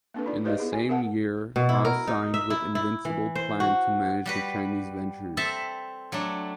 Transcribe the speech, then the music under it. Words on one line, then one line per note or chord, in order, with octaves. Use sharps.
In the same year, Ha signed with Invincible Plan to manage her Chinese ventures.
A#3 C4 D4 A4 B4
D#4 F4 D5
G4 B4 C5 D5 D#5 F5
B3 E4 G#4
F#4 G#5
A#4 E5 F#5 A5
B2
E4
A#4
D#4
E5
E4
E4
E3
C5
F#4
G3 F#4 B4
C4 A4 E5 A5
F#3 A3 D4